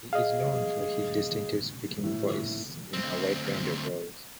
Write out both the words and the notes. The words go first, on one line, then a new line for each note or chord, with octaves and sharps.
He is known for his distinctive speaking voice in a wide range of roles.
G#4 D#5 F5
A2
D2 C4